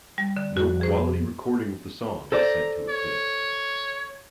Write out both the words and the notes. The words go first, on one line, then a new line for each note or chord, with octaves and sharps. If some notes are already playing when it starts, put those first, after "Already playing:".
No quality recording of the song is said to exist.
G3
D3
F2 F#4
G#4 C5
A4 C5 D5 A#5
C#5